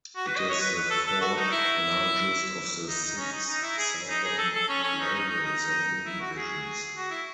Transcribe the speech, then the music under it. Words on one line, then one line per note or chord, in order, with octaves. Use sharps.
It is the fourth-largest of the six Southern Railway zone divisions.
F#4
B4
D#5
C#5
B4
B4
A4
A4
F#4
D#4
E4
D#4
D#4
C#4
D#4
D#4
E4
G#4
D#4
G#4
A4
A4
C#4
C#4
D#4
D#4
D#4
D#4
E4
F#4
G#4
F#4
E4